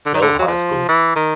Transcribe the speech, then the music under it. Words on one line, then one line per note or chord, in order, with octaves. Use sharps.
Bell High School.
D3
D#3
D3
F#3
F3
E3
D#3